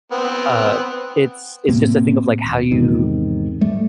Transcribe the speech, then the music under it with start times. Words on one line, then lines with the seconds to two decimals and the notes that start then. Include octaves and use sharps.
uh, it's it's just a thing of, like, how you
0.12 B3 C4
1.69 A2 C3 A#3 C4
2.44 D#1
2.71 E2 G#2 C3 D#3
3.61 G3 A3